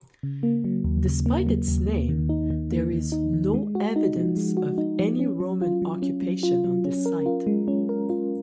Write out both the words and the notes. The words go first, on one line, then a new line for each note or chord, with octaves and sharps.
Despite its name there is no evidence of any Roman occupation on this site.
C#3
A#3
F#3
D#2
C#3
A#3
F#3
D#2
A#3
D#3
D#4
D#3
A#3
D#3
D#4
D#3
G#3
F#4
D#4
F3
G#3
F#4
D#4
F3
C#4
F#3
F4
F#3
C#4
F#3
F4
F#3
C#4
A#4
F4
G#3
C#4
A#4
F4